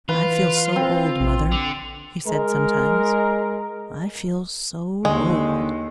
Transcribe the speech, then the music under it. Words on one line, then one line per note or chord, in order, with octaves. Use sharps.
"I feel so old, mother," he said, sometimes; "I feel so old."
E3 F4 B4
C4
A#1
D3
G#3 A#4
D#2 D3 G#3